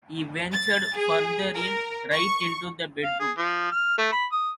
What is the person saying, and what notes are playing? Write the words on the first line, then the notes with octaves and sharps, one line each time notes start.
He ventured further in — right into the bedroom.
A6
G#4
A#4
C#6
F5
G#4
F3
F6
A3
B5
D#6